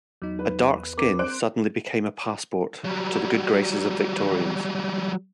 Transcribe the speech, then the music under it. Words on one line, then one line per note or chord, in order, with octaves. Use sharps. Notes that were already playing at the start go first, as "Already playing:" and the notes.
A dark skin suddenly became a passport to the good graces of Victorians.
E2 F#3 D#4
B4
C4 A#4 D6
C5 F#6 D7
F#3 G3